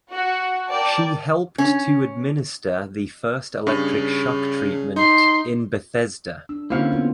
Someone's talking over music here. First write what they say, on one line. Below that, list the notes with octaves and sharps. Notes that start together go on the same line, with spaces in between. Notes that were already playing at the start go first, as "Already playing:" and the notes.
She helped to administer the first electric shock treatment in Bethesda.
F#4
A#4 D5 G5 A5
C#4
G2 C#3
D#4 C6
D4 E6
D3 A#3 C4 C#4 E4 F#4 F5
B3 F4